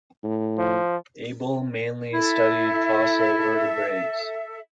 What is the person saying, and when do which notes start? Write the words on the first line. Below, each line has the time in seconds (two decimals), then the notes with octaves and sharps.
Abel mainly studied fossil vertebrates.
0.24 A2
0.58 F3
2.13 E4 A4 E5